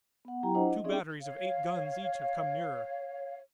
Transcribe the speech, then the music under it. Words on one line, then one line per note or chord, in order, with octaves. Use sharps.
Two batteries of eight guns each have come nearer.
B3 F#5
F#3 E4 G4 G5 A#5
D4 E4 F4 C5 D#5 F#5
D#5
C4 C#4 D#4 G#4 D5 E5
C#5 F5